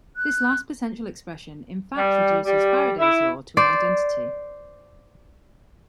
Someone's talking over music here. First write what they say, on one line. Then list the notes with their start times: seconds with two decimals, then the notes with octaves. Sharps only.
This last potential expression in fact reduces Faraday's law to an identity.
0.16 F#6
1.96 G3
2.45 G3
2.99 E4
3.57 C5 D5